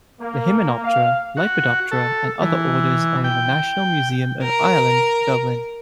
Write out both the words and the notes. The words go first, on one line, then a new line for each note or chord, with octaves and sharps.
The Hymenoptera, Lepidoptera and other orders are in the National Museum of Ireland, Dublin.
A#3
F5
F#4
A4
E3
G5
A#4